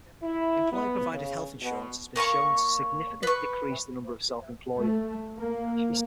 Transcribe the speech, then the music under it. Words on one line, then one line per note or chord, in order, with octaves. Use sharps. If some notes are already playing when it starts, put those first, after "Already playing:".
Employer provided health insurance has been shown to significant decrease the number of self-employed.
E4
B3
C#3
B2
A#3 C#5 A#5 C#6
B4 C#6
A3
A#3